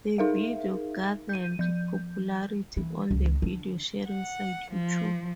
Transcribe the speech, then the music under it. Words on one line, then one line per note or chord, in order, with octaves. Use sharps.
The video garnered popularity on the video sharing site YouTube.
D#4 G#4 A#4 E5 F5
G6 D#7
F3 G6
E3
C#2
D3
F#5
F3